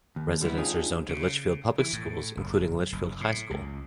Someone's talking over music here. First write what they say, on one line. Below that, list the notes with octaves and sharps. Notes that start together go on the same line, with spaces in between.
Residents are zoned to Litchfield Public Schools including Litchfield High School.
D#2
D3 G3 G#3 B3 E4
C4 D4 D#4 F4 G4 G#4
C#3
E3
A2
F#1
F#1
A2
C#2